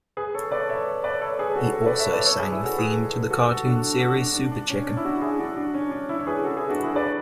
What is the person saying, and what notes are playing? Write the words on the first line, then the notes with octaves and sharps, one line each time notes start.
He also sang the theme to the cartoon series Super Chicken.
G#4 B4
A4 C#5
B4 D5
C#5 E5
B4 D5
A4 C#5
G#4 B4
B4
F#4 A4
F#4 A4
B4 D5
C#5 E5
B4 D5
A4 C#5
G#4 B4
E4 G#4
F#4 A4
G#4 B4
F#4 A4
F#4 A4
D4 F#4
D4 F#4
D4
D4
D4
C#4
D4
E4
D4 F#4
E4 G#4
D4 F#4
D4 F#4
C#4
D4
C#4 E4
C#5
G#4 B4
F#4 A4
E4 G#4
D4 F#4
E4 G#4
B4 D5